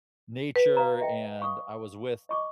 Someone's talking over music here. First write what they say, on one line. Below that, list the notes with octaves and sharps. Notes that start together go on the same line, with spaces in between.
nature and I was with,
B4
F5 A#5
D#5 E5 G5
F5 C#6 D#6
D#5 C#6 D6